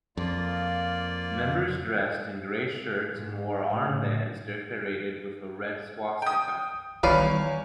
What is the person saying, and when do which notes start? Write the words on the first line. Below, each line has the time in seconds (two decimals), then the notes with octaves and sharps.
Members dressed in grey shirts and wore armbands decorated with a red swastika.
0.17 F2 A#3 F4 D5
3.13 G#2
3.70 A2
6.22 G5 D#6
7.03 E2 D#3 G3 B4 C#5 D5 F5 D#7